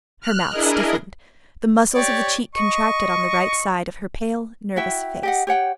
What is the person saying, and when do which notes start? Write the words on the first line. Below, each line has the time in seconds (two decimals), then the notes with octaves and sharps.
Her mouth stiffened, the muscles of the cheek contracted on the right side of her pale, nervous face.
0.21 F6 F#6
0.50 D4 E4 G#4 A#4 D#5
1.94 G4 C#5 D5
2.55 D#5 C#6
4.76 E4 F#4 E5 G5
5.23 G4 D#5 F#5
5.47 G4 C#5 F#5 G5